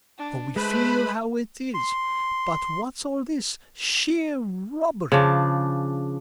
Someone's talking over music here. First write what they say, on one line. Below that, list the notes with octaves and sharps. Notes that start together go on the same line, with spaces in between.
For we feel how it is; but what's all this--sheer robbery!
D4
G#3 A3 B4 C5 B5
C6
C#3 F3 D4